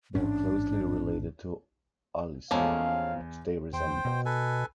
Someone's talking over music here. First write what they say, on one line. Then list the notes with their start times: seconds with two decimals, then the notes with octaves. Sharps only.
They are closely related to "Alyssum", which they resemble.
0.15 A1 G#2 C#4 D4
2.51 E2 F3 G#3 A#3 C#4 A4 F5 G#5
3.73 E2 C5 G5
4.05 B2
4.25 A4 B4 G#5